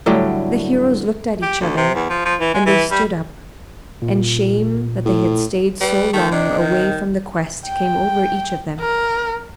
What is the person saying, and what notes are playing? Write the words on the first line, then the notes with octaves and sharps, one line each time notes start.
The heroes looked at each other, and they stood up, and shame that they had stayed so long away from the quest came over each of them.
A2 D3 F#3 G3
G4
D2
C3
E2
F3
F3
E3
G#3
E3
G3
A#2
A2
G3 B4
D#3 A3 G5
C3 D4 D#5
D#3
G5
A#4